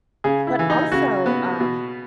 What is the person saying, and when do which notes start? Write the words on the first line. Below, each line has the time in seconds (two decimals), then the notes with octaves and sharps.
But also, um
0.24 C#3 G#4
0.47 E4
0.59 E3
0.70 D#4
0.92 C#3 F#4
1.26 B3
1.60 B2